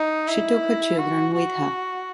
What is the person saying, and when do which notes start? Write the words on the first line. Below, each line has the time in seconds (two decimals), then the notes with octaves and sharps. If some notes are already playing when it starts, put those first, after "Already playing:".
She took her children with her.
Already playing: D#4
0.28 E4
0.98 F#4
1.34 F#4